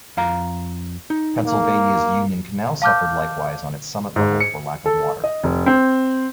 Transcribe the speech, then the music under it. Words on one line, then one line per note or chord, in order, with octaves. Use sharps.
Pennsylvania's Union Canal suffered likewise on its summit level for lack of water.
F2 F5 A#5
D#4
A#3
F5 A5 D6 F6 G6
G#2
C#7
A4
D#5
F1
C4